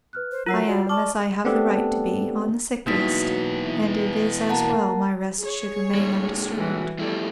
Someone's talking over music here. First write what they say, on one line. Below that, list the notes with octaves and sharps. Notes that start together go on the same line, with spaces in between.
I am, as I have the right to be, on the sick list, and it is as well my rest should remain undisturbed.
B4 F6 F#6
C5
F#3 F4 A#4 C#5 F#5 A#5 E6 C7
F#4 D5
D5 A5 C#6 D6 F6
A3 B3 C4 D4 G4 A4
B2 E3 F#3 A#3 D#4 B6
A#3 F#5 A5 A#5
G#4 C#5
A#2 G#3
E3 G3 F#4
F2 G3 A3 E4